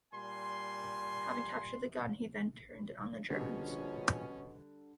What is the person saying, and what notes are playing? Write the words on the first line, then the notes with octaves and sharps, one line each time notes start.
Having captured the gun, he then turned it on the Germans.
A#2 G3 G#5 C6
A#1 B2 D3 G3 C#4